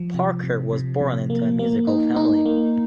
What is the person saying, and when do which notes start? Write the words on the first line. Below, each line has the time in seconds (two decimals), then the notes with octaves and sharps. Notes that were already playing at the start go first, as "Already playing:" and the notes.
Parker was born into a musical family.
Already playing: F3
0.14 C3
0.44 C3
0.73 C3
1.01 C3
1.30 A#3
1.59 A#3
1.87 D#4
2.16 D#4
2.45 A#3